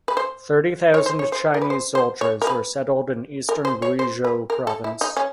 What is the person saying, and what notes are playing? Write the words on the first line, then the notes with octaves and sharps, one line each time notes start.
Thirty thousand Chinese soldiers were settled in eastern Guizhou Province.
B4
C5
C#5
C5
C#5
C5
A#4
B4
C5
C5
C#5
A#4
B4
A#4
C5
C#5
C5
B4
A#4
A4
E4
D#4
C#4